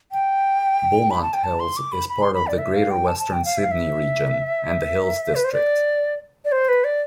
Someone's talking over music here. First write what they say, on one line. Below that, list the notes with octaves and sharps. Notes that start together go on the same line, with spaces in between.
Beaumont Hills is part of the Greater Western Sydney region and the Hills District.
G5
B5
A5
G5
A5
C6
D6
B5
B5
C6
B5
D5
E5
F5
G5
A5
A5
G5
F5
E5
F5
E5
B4
C5
D5
D5
C5
B4
D5